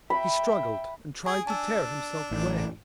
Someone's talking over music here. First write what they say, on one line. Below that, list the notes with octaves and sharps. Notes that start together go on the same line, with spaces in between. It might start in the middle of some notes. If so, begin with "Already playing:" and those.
He struggled, and tried to tear himself away.
E5 G5 B5
G#4 G#5
D4 A5 E6
A1